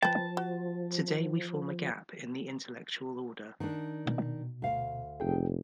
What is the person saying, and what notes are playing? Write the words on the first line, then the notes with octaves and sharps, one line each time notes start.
Today we form a gap in the intellectual order.
F3 B4 G5 A5
F#4
D#3 D4
B2
D2 F5
F1 G#4 A4 G5